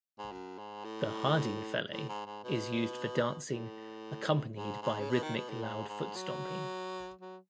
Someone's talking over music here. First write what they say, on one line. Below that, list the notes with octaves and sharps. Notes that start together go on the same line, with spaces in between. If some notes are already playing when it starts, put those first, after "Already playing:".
The Hardingfele is used for dancing, accompanied by rhythmic loud foot stomping.
G#2
F#2
G#2
A2
A2
G#2
G#2
B2
A2
G#2
G#2
C#3
B2
D#3
B2
A2
G#2
G#2
F#3
F#3